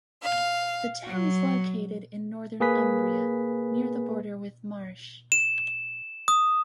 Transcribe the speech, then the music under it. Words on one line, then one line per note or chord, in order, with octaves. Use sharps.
The town is located in northern Umbria, near the border with Marche.
F5
F#3
A#3 G#4 B4 B6
E7
D#6